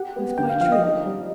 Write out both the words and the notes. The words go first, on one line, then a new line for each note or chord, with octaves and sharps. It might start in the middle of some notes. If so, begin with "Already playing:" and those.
It was quite true.
Already playing: G4 F#5
B3
D3 G5
F5
F3 F5
D#5
D#4 D#5
G3